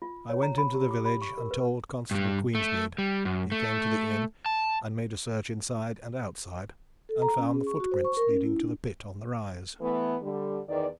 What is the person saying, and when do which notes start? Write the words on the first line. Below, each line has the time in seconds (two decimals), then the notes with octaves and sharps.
I went into the village and told Constable Queensmead. He came to the inn, and made a search inside and outside and found the footprints leading to the pit on the rise.
0.02 F4
0.29 C#5
0.43 A#5
0.58 B5
0.74 G4
0.91 D6
1.05 B5
1.22 C#6
1.38 A#4
1.51 B4
2.11 G2 G3
2.55 A3
2.98 G3
3.25 F#2
3.52 A3
4.46 A5
7.09 A4
7.22 A#5
7.37 C#4
7.54 G#4
7.67 C#6
7.80 F#4
7.92 C5
8.05 C#6
8.17 A#4
8.28 C#4
8.43 E4
8.60 D4
9.81 E3 A3 B3
10.22 D3 G3
10.68 E2 D#3 D5